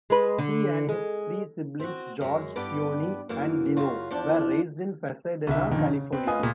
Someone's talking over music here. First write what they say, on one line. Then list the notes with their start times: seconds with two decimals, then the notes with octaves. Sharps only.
He and his three siblings, George, Theoni and Dino were raised in Pasadena, California.
0.10 G#3 B4
0.38 D3
0.89 G#3
1.80 C4 F#4
2.21 F#2 G#3
2.56 G2 B3 G4 B4 D5
3.29 F#2 E3 A#3
3.77 F#2 C#3 F4 F#4
4.11 E2 F3 D4
5.47 C2 D3 E5
5.71 F2 A#2 D3 D#3
5.85 C#3
6.13 B3 C4 B4
6.27 F4 B4 D#5 G#5 D#6
6.40 A#2 A3